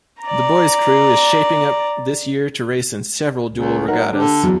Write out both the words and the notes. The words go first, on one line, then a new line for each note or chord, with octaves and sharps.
The boys crew is shaping up this year to race in several dual regattas.
D5 A#5
C#2
F#3 D#4 A#4 F#5
D3 D4 G4
E2 F#3